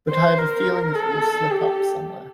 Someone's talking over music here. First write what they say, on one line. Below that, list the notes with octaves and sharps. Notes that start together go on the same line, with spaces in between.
But I have a feeling that it will slip up somewhere.
C5
A#4
A4
G4